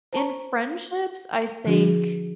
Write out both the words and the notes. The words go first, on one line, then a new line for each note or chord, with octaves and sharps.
in friendships, I think
C5 A5 A#5 C#6
D3 F3 D4 F#4 G#4